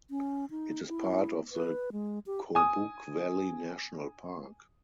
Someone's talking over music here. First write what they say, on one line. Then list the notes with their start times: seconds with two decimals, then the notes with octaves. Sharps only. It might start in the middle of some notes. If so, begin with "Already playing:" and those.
It is part of the Kobuk Valley National Park.
0.10 C#4
0.50 D#4
0.88 E4
1.52 B4
1.92 G#3
2.26 G4
2.55 G#5 D#6